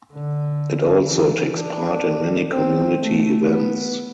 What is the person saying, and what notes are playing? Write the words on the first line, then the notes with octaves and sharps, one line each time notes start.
It also takes part in many community events.
D3
E3
D4
C4
A3
B3